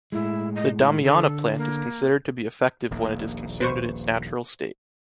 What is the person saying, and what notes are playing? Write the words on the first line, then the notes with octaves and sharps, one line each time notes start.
The damiana plant is considered to be effective when it is consumed in its natural state.
A2 G#3 E4
D#5
E4
D3 A4
A#3
D#1 A#1 A#3
B4 C5 C#6